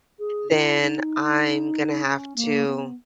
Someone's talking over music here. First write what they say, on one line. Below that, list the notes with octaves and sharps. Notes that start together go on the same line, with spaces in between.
then I'm gonna have to,
G#4
E4
D#4
C#4
A#3
B3